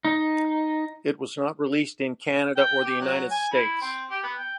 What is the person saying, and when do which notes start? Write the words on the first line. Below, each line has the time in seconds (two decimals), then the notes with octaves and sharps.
It was not released in Canada or the United States.
0.05 D#4
2.56 G5
2.84 G4
3.00 F#3
3.31 G#5
3.52 E4
3.81 C4
4.10 G4
4.23 B3
4.37 G5